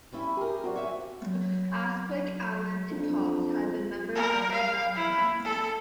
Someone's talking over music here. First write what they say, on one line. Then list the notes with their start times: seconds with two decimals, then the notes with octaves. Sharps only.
Asquith, Allen and Cox had been members of Rema-Rema.
0.12 G3 C#4 E4
0.37 G4 G#4 A#4
0.64 F#3 C4 F#4 D5
0.76 C#5 E5 G#5
1.25 F#3
2.91 F2 D4
4.15 A#4
4.52 F5
4.95 E4
5.44 A4